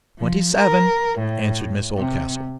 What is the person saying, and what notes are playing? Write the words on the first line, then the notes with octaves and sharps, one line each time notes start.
"Twenty-seven," answered Miss Oldcastle.
F3
A#4
A2
C3